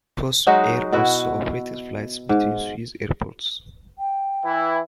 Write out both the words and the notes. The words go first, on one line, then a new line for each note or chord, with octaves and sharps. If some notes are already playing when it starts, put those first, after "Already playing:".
Crossair also operated flights between Swiss airports.
F#3 G#3 D#4 F#4
B2 E4 F#4
G#2
G5
E3 E4